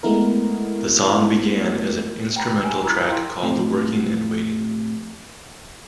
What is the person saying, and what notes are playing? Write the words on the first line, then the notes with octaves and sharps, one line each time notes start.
The song began as an instrumental track called "Working and Waiting".
G#3 A3 B3 E4 A#4
G5 A#5 B5
G#5 E6
E4 F#4 A#4 A#5 B5 E6
E4 G5 C6
A2 C3 F3